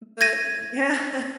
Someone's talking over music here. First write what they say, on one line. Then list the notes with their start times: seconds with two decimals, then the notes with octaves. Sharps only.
but Yeah.
0.21 G#6 A#6 D#7